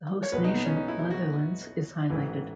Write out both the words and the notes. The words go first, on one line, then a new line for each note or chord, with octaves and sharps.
The host nation, Netherlands, is highlighted.
C#5
B1 B2 B4
D#4
B3
C#4
D#4
E4
E4
F#4
A1 G#2 E3